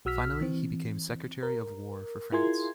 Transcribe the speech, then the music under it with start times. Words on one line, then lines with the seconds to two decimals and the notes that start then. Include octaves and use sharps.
Finally he became Secretary of War for France.
0.05 B1 F#4 E6 F6 B6
0.41 E3 C4
1.43 A#4
2.32 E4 F4 G#4 A#4 C6 G#6